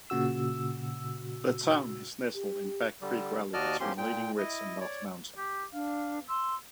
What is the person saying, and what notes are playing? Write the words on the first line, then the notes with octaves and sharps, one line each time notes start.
The town is nestled in Back Creek Valley between Leading Ridge and North Mountain.
A#2 C#3 F#4 E6
G4
D3 G3
D#2 F#4 D5 D#5 A5 F6
E2 F3 A#3 C#4 G4 C6
A#2 G5
E4 D#5
C#5 D5
G4
D4 F5
C6 E6